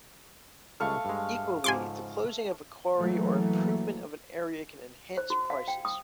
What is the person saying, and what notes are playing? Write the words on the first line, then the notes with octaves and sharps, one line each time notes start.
Equally, the closing of a quarry or improvement of an area can enhance prices.
C#2 G3 A3 F5 C#6
G2 G#3
G#2 C#3 F3 G#5 C6 D6
E3 F#3 A3 A#3
C5
F#4
F5
G5
D#6